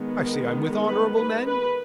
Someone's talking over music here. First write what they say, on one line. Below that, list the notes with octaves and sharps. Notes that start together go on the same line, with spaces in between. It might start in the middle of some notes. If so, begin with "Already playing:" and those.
I see I'm with honorable men.
Already playing: D#3 G#3 B3
B4
B4
B4